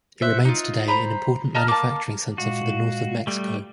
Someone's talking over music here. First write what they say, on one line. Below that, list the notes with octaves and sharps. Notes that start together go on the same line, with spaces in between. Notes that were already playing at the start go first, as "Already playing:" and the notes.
It remains today an important manufacturing centre for the north of Mexico.
C5 E5 F#5
D#4 F4
C5 A#5 B5
D#5 A5 A#5 F6
A#3 A5
A#2 G#3 F#4 F5
G3 A3